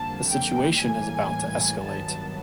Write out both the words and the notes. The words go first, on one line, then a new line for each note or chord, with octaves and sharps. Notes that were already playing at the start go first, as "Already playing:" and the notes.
The situation is about to escalate.
Already playing: F2 D3 G3 A#3 A5
G5
A2 E3 G3 A#3 G#5
G2 D#3 F#3 B3 A5